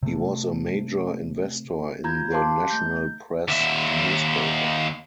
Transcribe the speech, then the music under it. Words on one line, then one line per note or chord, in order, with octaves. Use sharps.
He was a major investor in the "National Press" newspaper.
C3 A3
F4 A#5 G6 G#6
G4 C5 F5 A5 C6 D6
A3 G6
D#2 E5